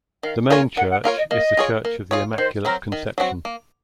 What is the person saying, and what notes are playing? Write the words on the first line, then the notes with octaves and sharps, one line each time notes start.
The main church is the Church of the Immaculate Conception.
D#3 F5
A#3 F4 A#4 C#5 G#5
D#3 F#5
F#5
A#3 F4 A#4 C#5 F5
D#5
A#3 D#5
F4 G#4 C#5
A#3
F4 G#4 C#5
C#5
D#3 C5
F#3 C4 F#4 A#4
D#3
F#3 C4 F#4
A#3